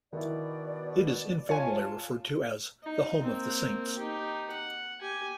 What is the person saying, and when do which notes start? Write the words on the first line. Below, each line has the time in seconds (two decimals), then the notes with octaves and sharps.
It is informally referred to as the "Home of the Saints".
0.13 B2 D#3 E4 D5
1.49 F4 C#5 G#5 A5 C#7
2.83 D#4
3.23 A#3 C4
3.99 D#4 G4
4.51 F#5
5.01 G4 G#5